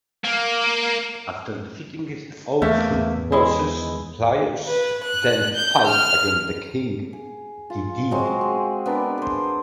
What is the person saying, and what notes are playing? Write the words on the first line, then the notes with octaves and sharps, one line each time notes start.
After defeating all three bosses, players then fight against King Dedede.
A#3
E2 A3 A#3 E5
G#3 E4
B4
F#6
G6
F6
G#4
F4
F#3 G#3 C4
G#4
B3 D4 A#4
G#4 C5